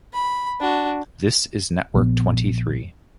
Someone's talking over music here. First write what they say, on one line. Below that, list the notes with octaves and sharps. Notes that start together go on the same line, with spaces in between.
This is network twenty three.
B5
D4 F#4
A#1 A#2 F3 B3